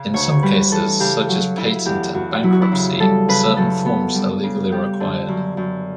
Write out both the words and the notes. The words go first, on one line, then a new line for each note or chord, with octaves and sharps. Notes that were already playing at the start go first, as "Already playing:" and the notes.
In some cases, such as patent and bankruptcy, certain forms are legally required.
Already playing: C#3
D2 C#5
G3 B4
E3 A4
C#3 G4
F#3 F#4
C#3 E4
E2 G4
E2 F#4
F#3 E4
F#4
E4
C#3
G3 A4
C#3 B4
F#2 A4
B3
G3
C#3
G3 G4
D3
F#2
F#2